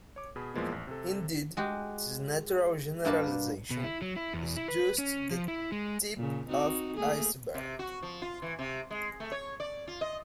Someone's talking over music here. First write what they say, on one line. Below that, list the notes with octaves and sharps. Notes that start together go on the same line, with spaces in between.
Indeed, this natural generalization is just the tip of iceberg.
C#5 D6
B2 G#4 B5
E2 A#2 F3 G#3 A#3 B3
A1
C3 A4
G#3 F#4 G4
G2 A#3 F#4 B4 D5 A5
B2
E4
F#3
E4
E2
E4
B4
C#4
F3
E4
G#3
A#2 C#3
C4 D#4 F#4
A3 A#3 G#4
C3
F#4
F3
F4
E3
C3
G#3
A3
C#5
D5
F4
D#5